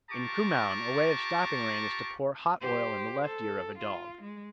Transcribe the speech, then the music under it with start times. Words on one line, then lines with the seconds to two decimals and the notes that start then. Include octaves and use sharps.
In Kumaon a way of stopping rain is to pour hot oil in the left ear of a dog.
0.11 F4 G4 A5 A#5 C#6 D6
2.61 G4 C5
3.25 A4
3.78 F4
4.22 G#3